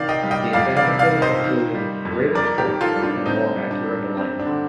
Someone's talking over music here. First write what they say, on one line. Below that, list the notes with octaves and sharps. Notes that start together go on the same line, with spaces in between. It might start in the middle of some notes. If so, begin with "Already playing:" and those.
The advantages included greater strength and more accurate alignment.
Already playing: C3 D#3 D5 F5
D#5 G5
G3
D#5 G5
F2 D5 F5
D5 F5
C3
D5 F5
D#3
C5 D#5
D#3
G3
F2
F2 A#4 D5
G4 A#4
D#3
F4 A4
G3
D4 F4
D3 C4 D#4
G3
D4
G2
G2 C4
D4
D3